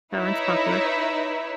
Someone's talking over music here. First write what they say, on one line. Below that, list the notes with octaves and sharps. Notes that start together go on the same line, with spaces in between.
that one's popular.
D#4 E4 B4 C#5 E5